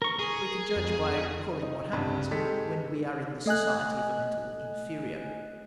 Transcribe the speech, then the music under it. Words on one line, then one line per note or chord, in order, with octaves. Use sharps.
We can judge by recalling what happens when we are in the society of a mental inferior.
A#4 C#6
G#4
F2
D#4
C#2 G2 C3
D#3 G#3 G4 A4 B6
A3 D#5 G#5 F#6